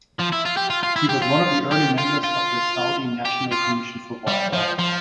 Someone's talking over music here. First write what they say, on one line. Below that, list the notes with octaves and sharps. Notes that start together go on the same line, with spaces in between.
He was one of the early members of the Saudi National Commission for Wildlife.
F3
E4
F4
G4
F4
F4
E4
G4
F4
G4
F4
F4
G4
F4
G3
F3
F3